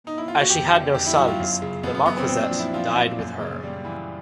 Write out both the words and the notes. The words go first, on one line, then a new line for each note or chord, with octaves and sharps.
As she had no sons the marquessate died with her.
D#4
E4
F4
F#4
F2 G4
D3
F2 G4
E4
F#3 F#4
F4
F#2
C#3
F#2 B3
B3
F#3 B3
C4
A#2 C4
D4
F3
E4
F3 F4
A#2
F#2
C#3
G3
E3